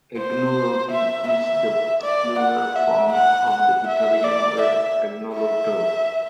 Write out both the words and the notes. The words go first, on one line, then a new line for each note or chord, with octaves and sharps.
"Agnolotti" is the plural form of the Italian word "agnolotto".
C5
E5
E5
D5
F#5
E5
F#5
F#5
E5
D5
E5
E5